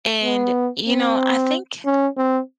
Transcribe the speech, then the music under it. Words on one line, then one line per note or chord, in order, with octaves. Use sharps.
and, you know, I think
B3
C4
C#4
C4